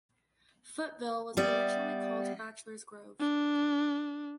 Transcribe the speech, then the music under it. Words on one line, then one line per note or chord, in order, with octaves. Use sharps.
Footville was originally called Bachelor's Grove.
G3 B3 D5 E5
D4